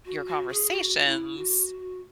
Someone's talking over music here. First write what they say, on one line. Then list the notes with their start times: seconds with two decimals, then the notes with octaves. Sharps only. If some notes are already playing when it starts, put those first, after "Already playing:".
your conversations
0.06 F#4
0.27 F#4
0.49 G#4
0.71 F#4
1.04 E4
1.37 F#4